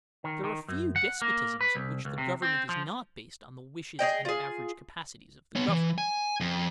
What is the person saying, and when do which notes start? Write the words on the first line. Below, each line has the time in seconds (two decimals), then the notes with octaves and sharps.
There are few despotisms in which the government is not based on the wishes and average capacities of the governed.
0.24 D#3
0.44 D#3
0.68 F#2
0.96 F#5
1.22 A#3
1.61 B4
1.75 C2
2.05 C#2
2.18 C3
2.42 C4
2.69 F3
3.99 G#4 C#5 D#5 G5
4.25 F4 G#4
5.56 B3 C#5
5.68 E3
5.98 G#5
6.41 F2